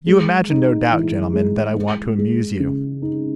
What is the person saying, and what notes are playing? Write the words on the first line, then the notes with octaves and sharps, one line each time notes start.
You imagine no doubt, gentlemen, that I want to amuse you.
G#3
D#4
E3
G#3
G#3
G#3
C#3
D#4